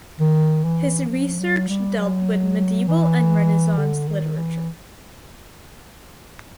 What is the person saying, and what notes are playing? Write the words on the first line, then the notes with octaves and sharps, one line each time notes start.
His research dealt with medieval and Renaissance literature.
D#3
E3
F3
F#3
G3
F#3
E3
D3
D#3
E3